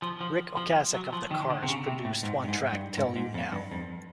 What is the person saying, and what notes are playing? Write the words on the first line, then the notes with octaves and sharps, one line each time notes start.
Ric Ocasek of the Cars produced one track, "Tell You Now".
F3
F3
F3
F#3
F3
D#3
D3
C3
C#3
C3
A2
G#2
G2
G#2
G2
G#2
G#2
F2
G2
F2